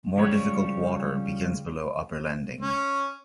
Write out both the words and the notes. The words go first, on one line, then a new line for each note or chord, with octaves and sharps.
More difficult water begins below Upper Landing.
C#3 F3 G3 C#5
C#4